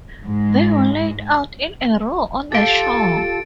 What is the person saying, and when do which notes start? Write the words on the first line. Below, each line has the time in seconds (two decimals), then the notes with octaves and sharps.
They were laid out in a row on the shore.
0.24 G#2 G#3
2.52 F4 G4 A4 A6 D7